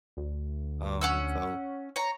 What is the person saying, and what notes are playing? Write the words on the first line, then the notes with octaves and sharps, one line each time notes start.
Um, so
D2
C#4 F#5 E6
C#5 A#5